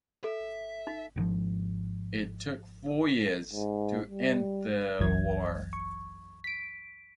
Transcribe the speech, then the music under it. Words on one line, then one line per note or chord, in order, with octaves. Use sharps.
It took four years to end the war.
A4 E5
D#4
G#1 G#2 C3 F3
G#2
G3
G1 C2 F#2 E3 F#3 G#6
C#6
B6 D7